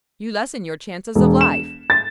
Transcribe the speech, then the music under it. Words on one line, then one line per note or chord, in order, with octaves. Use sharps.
You lessen your chances of life!
E1
E7
A6